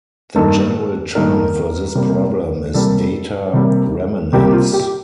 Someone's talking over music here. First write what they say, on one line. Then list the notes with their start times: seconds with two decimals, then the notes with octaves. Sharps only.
The general term for this problem is data remanence.
0.36 G2 D#3 A#3 A4
1.15 G2 D#3 A#3 A#4
1.95 C3 G3 A#3
2.74 C3 G3 A#3 A4
3.54 C3 G3 A#3
4.33 C3 G3 A#3 G4
4.53 F4
4.73 G4